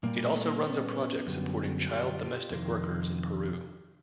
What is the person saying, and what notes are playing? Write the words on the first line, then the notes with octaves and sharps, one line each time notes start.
It also runs a project supporting child domestic workers in Peru.
A#2 G3 A#3
A3 B3
A#3 C4
B3 C#4
F#2 D3 G3
F4 G4
F2 C3 D#3 G#3